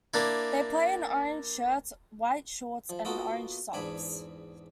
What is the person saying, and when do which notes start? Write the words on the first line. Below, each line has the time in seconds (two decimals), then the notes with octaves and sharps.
They play in orange shirts, white shorts and orange socks.
0.14 A#3 D4 E4
2.89 F3
3.05 A#3 B3 D#4 F4 F#4 A4
3.73 E2 G#2 D4 G#5 B5